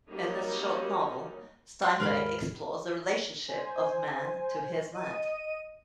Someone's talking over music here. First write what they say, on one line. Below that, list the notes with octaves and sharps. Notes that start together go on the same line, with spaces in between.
In this short novel, Steinbeck explores the relationship of man to his land.
F#3 G3 A#3 C#4 D#4
C6 F#6
D#2 G#2 A#4 F5 B5
C5 G#5
D#5 D#7